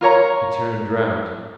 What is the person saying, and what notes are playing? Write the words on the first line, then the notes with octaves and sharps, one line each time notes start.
He turned round.
F4 A#4 C#5 A#5